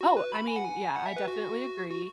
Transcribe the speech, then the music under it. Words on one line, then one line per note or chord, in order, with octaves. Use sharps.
Oh, I mean, yeah, I definitely agree.
F#4
B4
B5
G#5
F#5
G#5
F#5
E5
B4
F#4
F#4